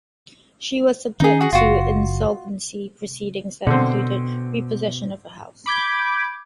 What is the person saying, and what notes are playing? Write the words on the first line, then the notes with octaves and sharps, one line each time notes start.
She was subject to insolvency proceedings that included repossession of her house.
D#3 C#4 D#4 G#4
F#4 G#4
F#1 F4 F#4
B2 D3 C4
B5 D6 G6 G#6